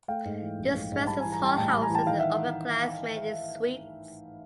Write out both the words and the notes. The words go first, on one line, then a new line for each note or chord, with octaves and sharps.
This residence hall houses upperclassmen in suites.
A3 F5 G5
G#2
E3
A#1
G#2
G#2
G3 A5 B5
G#5 A#5
E3
G#5 A#5
G3 G5 A5
A2 G5 A5
G3 A5 B5
G#5 A#5
E3
G5 A5
D#3 F5 G5
E5 F#5